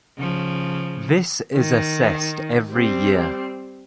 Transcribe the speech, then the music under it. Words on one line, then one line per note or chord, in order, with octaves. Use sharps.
This is assessed every year.
C#3 F3
D#3
G3 C4